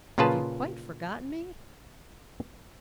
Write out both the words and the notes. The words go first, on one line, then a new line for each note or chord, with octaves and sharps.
Have you quite forgotten me?
A#2 C#3 F4 G#4 B4 A5